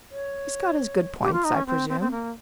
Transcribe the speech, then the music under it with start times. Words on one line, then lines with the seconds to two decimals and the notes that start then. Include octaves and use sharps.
"He's got his good points, I presume."
0.11 C#5
1.22 G4
1.33 F4
1.44 D#4
1.55 C#4
1.67 C4
1.89 C4
2.00 C4
2.11 A#3